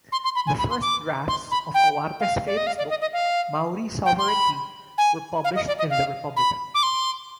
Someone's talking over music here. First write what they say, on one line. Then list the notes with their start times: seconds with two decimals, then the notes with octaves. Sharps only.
The first drafts of Awatere's famous book "Maori Sovereignty" were published in "The Republican".
0.12 C6
0.24 C6
0.35 B5
0.47 G#5
0.59 B5
0.70 C6
0.82 D6
1.28 C6
1.51 B5
1.74 G5
2.20 F5
2.47 D5
2.57 D#5
2.67 F5
2.78 D5
2.90 D#5
3.01 D#5
3.13 F5
4.06 G5
4.18 C6
4.28 B5
4.98 G#5
5.44 F5
5.56 D#5
5.67 D5
5.79 D#5
5.90 F5
6.36 B5
6.74 D6
6.83 C6